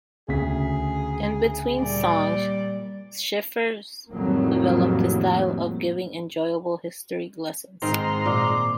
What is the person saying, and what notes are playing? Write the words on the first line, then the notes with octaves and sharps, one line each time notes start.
In between songs Schifter developed his style of giving enjoyable history lessons.
D2 C#3 G#4 B6
A#2 G3 D5
F2 A2 D#3 F#3 G3 A#3
G#2 D#3 C4 A#5 C6
A#2 D6